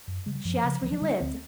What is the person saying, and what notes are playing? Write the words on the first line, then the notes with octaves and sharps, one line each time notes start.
She asked where he lived.
F#2
C#3 G#3
G3
F#2 F3
C#3
D2 F3
F#3
D3 G3
C#4
D2 C4